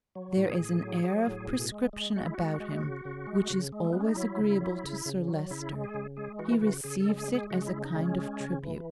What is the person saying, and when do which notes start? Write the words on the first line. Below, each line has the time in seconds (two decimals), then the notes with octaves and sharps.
There is an air of prescription about him which is always agreeable to Sir Leicester; he receives it as a kind of tribute.
0.15 F#3
0.37 A2
0.49 G#4
0.60 A2
0.82 F#3
1.04 F#3
1.27 A2
1.48 B2
1.72 G#3
1.93 G#3
2.16 G#3 F#4
2.26 E4
2.34 G#3 F#4
2.60 G#3
2.83 C#3
3.05 C#3
3.27 G#3
3.50 C#3
3.72 G#3
3.85 A3
3.93 G#3 B3
4.01 C#4
4.09 D#4
4.16 F#3 E4
4.39 C#3
4.61 F#3
4.84 C#3
5.06 C#3
5.28 F#3
5.51 C#3 E4
5.72 G#3
5.84 G#4
5.94 C#3
6.17 G#3 G#4
6.39 E3 F#4
6.61 C#3 F#4
6.84 C#3 G#4
7.00 A4
7.06 G#3
7.17 G#4
7.28 G#3
7.35 G#4
7.50 C#3 F#4
7.67 E4
7.72 C#3
7.85 D#4
7.95 G#3
8.00 C#4
8.18 G#3
8.40 C#3
8.63 E3